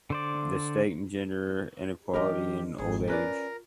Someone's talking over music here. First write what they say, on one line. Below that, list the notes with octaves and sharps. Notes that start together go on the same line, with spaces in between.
The State and Gender Inequality in Old Age.
D3 C5 D5
F#2 E3 D4 G4 A#4 D#5
G#1 G#4
C#4 F4 A#4 B4 D5